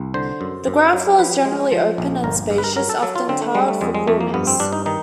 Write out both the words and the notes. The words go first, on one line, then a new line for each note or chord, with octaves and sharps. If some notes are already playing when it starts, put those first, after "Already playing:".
The ground floor is generally open and spacious, often tiled for coolness.
Already playing: C2
D3 C5
F#2
F#2
F#3
F3 B4
G#3
F3
A#1
G1 A#4
G2
B4
A#4
F#3 A#4
A4
F#3 A4
F4
D3 C4
A3
G3 G#3
A3
F2 G#3
G#3
F2 A3
A#3
G2 B3
C4
G2 D4
D#4
D#3 D#4